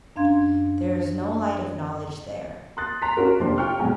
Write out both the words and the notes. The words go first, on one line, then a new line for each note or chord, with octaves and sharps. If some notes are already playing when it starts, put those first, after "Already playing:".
There is no light of knowledge there.
F#2 C#4 D4 F5 C6 G#6
C6 D#6 F#6 A6
A#5 C6 B6
C#4 F4 F#4 A#4
F1 D#2 F3 D4 C5 C6
F4 G5 C#6 F6
F1 B1 G#2 G#5